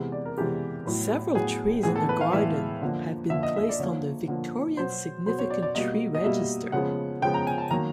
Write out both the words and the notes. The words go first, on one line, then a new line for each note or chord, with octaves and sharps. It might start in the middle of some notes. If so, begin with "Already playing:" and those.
Several trees in the garden have been placed on the Victorian Significant Tree Register.
Already playing: C3 E3 G#3 B3
D5
A#4
C3 E3 G#3 B3 G4
A2 F#3 B3
A2 F#3 B3 G#4
A2 E3 G#3 B3 G#4
A4
B4
F5
A2 E3 G#3 B3 E5
D3 F3 A#3
D3 F3 A#3 E5
D#5
E5
D5
D3 F3 A#3 C#5
D3 F3 A#3
B2 F#3 B3 C5
B2 F#3 B3 C5
C#5
D5
D5
B2 G3 A#3 D#5
D#5
B2 G3 A#3 E5
C#3 F3 G#3 B3 F#5
C#3 F3 G#3 B3 G5
A#5
G#5
A5
D#3 F#3 A#3 A#5